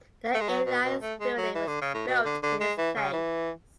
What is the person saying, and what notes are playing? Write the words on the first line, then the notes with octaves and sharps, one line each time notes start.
The Airlines Building was built in its place.
A3
G#3
F#3
B2
B2
A3
G#3
F#3
E3
D3
C#3
A2
B2
D3
D3
G#3
E3
C#3
E3